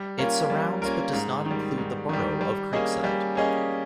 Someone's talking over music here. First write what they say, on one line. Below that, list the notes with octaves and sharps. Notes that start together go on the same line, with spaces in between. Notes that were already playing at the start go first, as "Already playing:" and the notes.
It surrounds but does not include the borough of Creekside.
Already playing: G3
A#3 C#4 F4 A#4
G3
A#3 C#4 F4 A#4
G#2
D#3 G3
G#2
D#3 G3
G3
A#3 C#4 G#4 D#5
G3
A#3 C#4 G#4 D#5